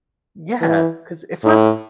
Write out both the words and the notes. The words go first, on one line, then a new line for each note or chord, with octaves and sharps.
Yeah, 'cause if we’re
E3
A2